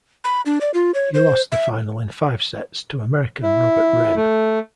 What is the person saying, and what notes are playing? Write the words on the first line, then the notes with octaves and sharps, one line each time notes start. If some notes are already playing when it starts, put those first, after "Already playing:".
He lost the final in five sets to American Robert Wrenn.
B5
D4
D5
F4
C#5
C5
E5
E4
A3